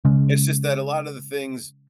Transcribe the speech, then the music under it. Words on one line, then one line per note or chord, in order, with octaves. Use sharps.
It's just that a lotta the things
C#3 G#3 C#4